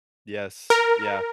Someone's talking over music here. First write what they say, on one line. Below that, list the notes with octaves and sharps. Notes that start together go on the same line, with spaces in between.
Yes, yeah.
A#4